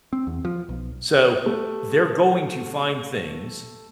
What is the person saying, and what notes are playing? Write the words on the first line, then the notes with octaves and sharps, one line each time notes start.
So they're going to find things,
C4
E2
F3
B1
A3 G4